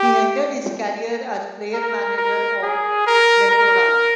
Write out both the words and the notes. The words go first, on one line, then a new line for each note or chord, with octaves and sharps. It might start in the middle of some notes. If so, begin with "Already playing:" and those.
He ended his career as player-manager of Glentoran.
Already playing: G4
A#4
A#4
G#4
A#4
A#4